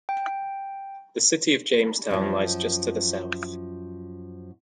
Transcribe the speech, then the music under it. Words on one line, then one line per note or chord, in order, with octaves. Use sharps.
The city of Jamestown lies just to the south.
G5
F#2 F3